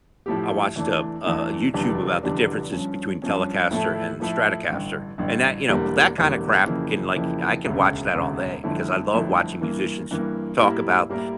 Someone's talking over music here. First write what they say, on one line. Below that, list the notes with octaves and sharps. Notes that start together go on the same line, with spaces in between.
I watched a, uh, YouTube about the differences between Telecaster and Stratocaster, and that you know, that kinda crap can, like, I can watch that all day, because I love watching musicians talk about
A2 F3 A3 E4 G4
E2 E3 A3 D4
E2 E3 A3 D4
F1 E2 D3 G3 D4
F1 E2 D3 G3 D4
G2 F3 C#4
G2 F3 C#4
A2 F3 A3 E4 A4
A2 F3 A3 E4 A4
A1 G2 D3
A1 G2 D3
E1 E2 D3 G3 A#3
E1 E2 D3 G3 A#3
F2 C#3 E3 A#3 E4
F2 C#3 E3 A#3 E4
E1 D2 C#3
E1 D2 C#3
G1 F2 D3 A3 E4
G1 F2 D3 A3 E4
G2 E3 A#3
G2 E3 A#3
A2 G3 A#3 E4 A#4
A2 G3 A#3 E4 A#4